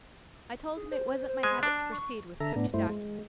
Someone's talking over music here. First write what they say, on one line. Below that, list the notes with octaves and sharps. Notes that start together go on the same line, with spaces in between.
I told him it wasn't my habit to proceed with cooked documents.
G#4
C5
C5
G#3 G#5
D4 A5
C#6
D3 A4 E5 A#5
A2 B3 D4
G2 A3 E4 C5
G#3